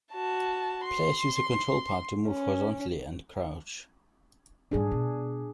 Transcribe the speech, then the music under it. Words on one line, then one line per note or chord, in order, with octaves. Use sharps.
Players use the control pad to move horizontally and to crouch.
F#4 A5
C6
C#4
G#2 G3 D4 G#4
B2